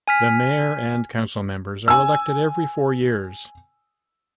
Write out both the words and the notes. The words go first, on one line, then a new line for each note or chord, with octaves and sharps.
The mayor and council members are elected every four years.
G#5 F6 B6
G#5 E6